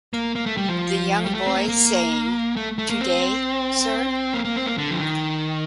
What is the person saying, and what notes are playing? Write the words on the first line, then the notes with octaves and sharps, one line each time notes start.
The young boy saying, Today, sir?
A#3
A#3
A3
G3
F3
G3
A3
C4
A#3
A#3
A3
A3
A#3
C4
A#3
A#3
C4
A#3
D3
F3
D#3